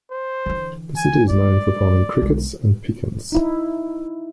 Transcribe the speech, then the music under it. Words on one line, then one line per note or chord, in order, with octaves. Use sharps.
The city is known for farming crickets and pecans.
C5
D3 E3
G#5
G#3 D5
B1 G#3
D#4 E4